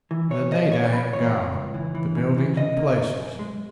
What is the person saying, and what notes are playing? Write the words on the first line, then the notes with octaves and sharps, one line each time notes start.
The data have gone, the buildings and places.
E3
E3 C#5
A#3 D#5
B2 C#5
B2 B4
E2 C#5
C#2
C#2
E3
E3
C#3
E3
B2 D#5
A#3
B2
F#2
G#3